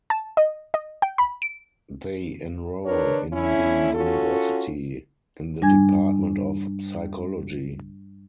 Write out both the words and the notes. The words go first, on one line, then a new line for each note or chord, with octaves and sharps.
They enroll in the University in the Department of Psychology.
A5
D#5
D#5
G5
B5
D7
D4 A#4 B4 C#5
D3 C#4 E4
C#4 F4 F#4 A4
G2 G3 D4 G#5 G#6